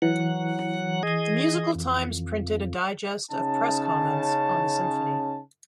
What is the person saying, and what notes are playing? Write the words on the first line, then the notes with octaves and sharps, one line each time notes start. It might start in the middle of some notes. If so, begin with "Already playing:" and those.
"The Musical Times" printed a digest of press comments on the symphony.
E3 F#3 F#5
G#4 D#5
F2
C#3 C#4 D#4 A5